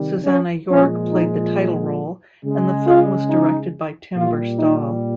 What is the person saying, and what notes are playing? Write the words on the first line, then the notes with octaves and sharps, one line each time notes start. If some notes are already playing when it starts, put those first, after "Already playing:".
Susannah York played the title role, and the film was directed by Tim Burstall.
Already playing: C3 D#3 G3
C#4
A#2 F3 G#3 C#4
D#4
C#3 G#3
F4
D#4
A#2 G3 F4
D#4